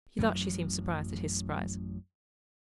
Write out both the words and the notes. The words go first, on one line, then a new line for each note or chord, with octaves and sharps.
He thought she seemed surprised at his surprise.
A1 F#2 F#3